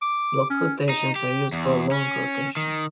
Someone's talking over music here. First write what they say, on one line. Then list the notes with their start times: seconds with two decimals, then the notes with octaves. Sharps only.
Block quotations are used for long quotations.
0.02 D6
0.50 C#4
0.89 D#4
1.16 G4
1.53 E2
1.92 C#4
2.57 D#3